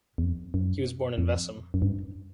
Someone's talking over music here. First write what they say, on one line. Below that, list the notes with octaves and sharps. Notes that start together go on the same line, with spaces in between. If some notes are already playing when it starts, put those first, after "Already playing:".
He was born in Vessem.
E2
F2
F#2
F2
F#2
G2